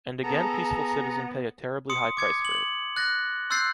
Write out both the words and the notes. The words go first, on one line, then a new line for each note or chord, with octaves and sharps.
And again peaceful citizen pay a terribly high price for it.
B3 G#4 A4 A#5
C6 D#6 C#7
D6 G#6 C#7
F#7
F#6 A6 A#6
C6 E6 F#6 G6 A6 C7